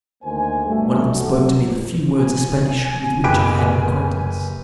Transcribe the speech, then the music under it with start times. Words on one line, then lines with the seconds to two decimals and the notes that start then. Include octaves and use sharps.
One of them spoke to me the few words of Spanish with which I had an acquaintance.
0.23 D2 D#3 A#3 C5 G#5
0.66 G2 B2 G3 A3
1.13 B1 F#3 A3
2.17 G#5
3.24 F#1 G4 B4 D7